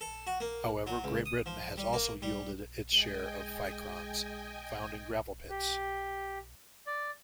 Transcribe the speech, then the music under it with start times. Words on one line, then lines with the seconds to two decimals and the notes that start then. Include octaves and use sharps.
However, Great Britain has also yielded its share of ficrons, found in gravel pits.
0.01 A4
0.27 F#4
0.40 A#3
0.87 F#3
1.04 C#2
1.26 D#6
1.46 F3
1.78 G3
1.93 A#3
2.22 G3
2.93 G#3 D#5 G5 G#5
5.50 G4
6.87 D5